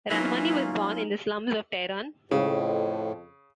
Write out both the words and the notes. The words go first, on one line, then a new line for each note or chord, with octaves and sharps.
Rahmani was born in the slums of Tehran.
E3 F#3 A#3 C#4 D#4 F4
F2 A2 C#3